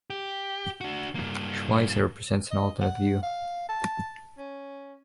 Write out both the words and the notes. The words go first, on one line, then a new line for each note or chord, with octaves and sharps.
Schweizer presents an alternate view.
G4
D4 F#4
G2 A#3
D#5
F#5
F5
A5
C#4